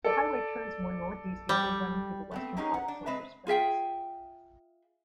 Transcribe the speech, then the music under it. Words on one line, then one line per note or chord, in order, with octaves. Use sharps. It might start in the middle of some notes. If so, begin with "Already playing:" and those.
The highway turns more northeast before running through the western part of Sulphur Springs.
A4 D5
G3
A3 B3 C4
F#3 A#3 C#4 D#4 G4 G#4
F#5
D4
G#3 C4 B4 E5
F4 G#4 E5 G5